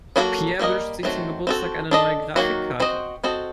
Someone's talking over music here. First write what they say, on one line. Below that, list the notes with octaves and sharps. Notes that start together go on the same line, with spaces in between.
Peer wünscht sich zum Geburtstag eine neue Grafikkarte.
F#3 A#3 D4 F#4 A4
G3 A#3 F#4 A#4 D#5
D#3 F#3 A3 C4 F#4
C4 F#4 A4
D4 A4 D#5
D#3 F#3 A#3 F#4
C4 F#4 C5 D#5
C4 F#4 A4 D#5